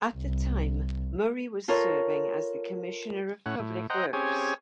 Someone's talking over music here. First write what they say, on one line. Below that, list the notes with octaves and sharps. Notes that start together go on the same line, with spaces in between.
At the time Murray was serving as the Commissioner of Public Works.
C2
F4 A4 A#4 C#5
A2 C#4 F#5
A2
C5 D#5 F#5 G5 A#5
C4 C#4 G4 G#4 C#5 G#5